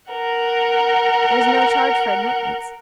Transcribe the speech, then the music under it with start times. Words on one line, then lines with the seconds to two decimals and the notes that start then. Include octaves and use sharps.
There's no charge for admittance.
0.11 A#4 F#5